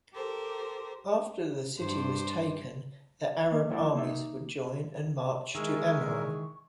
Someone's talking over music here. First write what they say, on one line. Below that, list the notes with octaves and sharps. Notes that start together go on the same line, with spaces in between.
After the city was taken, the Arab armies would join and march to Amorion.
G4 A4 A#4 C5
G2 C5
A#3
F3 A3 E4 F#4 A#4 D5
A#3 D#4 E5 G5
D#3 E3 G#3 G#4 A#4 E5 C#6